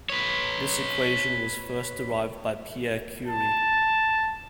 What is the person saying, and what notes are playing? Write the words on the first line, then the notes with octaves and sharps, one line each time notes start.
This equation was first derived by Pierre Curie.
B4 C#5
A5